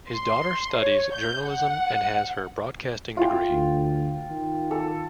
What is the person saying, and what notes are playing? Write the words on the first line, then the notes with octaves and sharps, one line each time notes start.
His daughter studies journalism and has her broadcasting degree.
C6
C#5
G6
F#5
E4 F4 G5
D2
D#3
A4